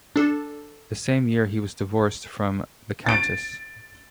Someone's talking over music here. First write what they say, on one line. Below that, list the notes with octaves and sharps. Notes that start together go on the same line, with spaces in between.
The same year he was divorced from the Countess.
D4 A4
A6 D7